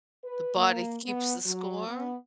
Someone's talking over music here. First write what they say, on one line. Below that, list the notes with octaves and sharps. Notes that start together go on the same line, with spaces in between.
The Body Keeps the Score?
B4
A#3
B3
F#3
B3